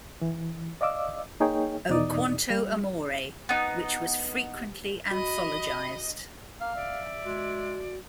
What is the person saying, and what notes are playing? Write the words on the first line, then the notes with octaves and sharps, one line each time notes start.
O quanto amore, which was frequently anthologised.
E3
D5 D#5 F5 D6 E6
A#3 D#4 G#4 C#5 G5
E2 B2 D#4 D5 D#6
G3
B3 D#4
F#4 D#5 B5
A#3 F5
D5 E5
G#3 F#4